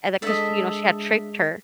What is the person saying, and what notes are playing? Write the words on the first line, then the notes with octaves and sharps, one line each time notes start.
and then 'cause, you know, she had tricked her.
G#3 D4 A4 D#5 E5